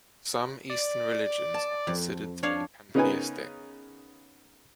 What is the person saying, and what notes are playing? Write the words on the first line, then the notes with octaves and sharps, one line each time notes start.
Some Eastern religions are considered to be pantheistic.
D5
A5
F2
D4 C#5 F5
C#3 B3 D#4 A#4 B4 G#5